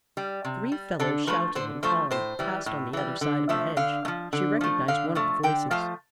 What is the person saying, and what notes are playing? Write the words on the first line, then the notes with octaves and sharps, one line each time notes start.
Three fellows shouting and calling, passed on the other side of the hedge; she recognized one of the voices.
G3
C3
G3
D3 A4
F3 A3 B4
D3 C5
F3 A3 C5
A2 C5
E3 G3
A2
E3 G3
D3
F3 A3 E5
D3 F5
A3
F3
D3
F3 A3
D3 F5
F3 A3
D3 G5
F3 A3 F5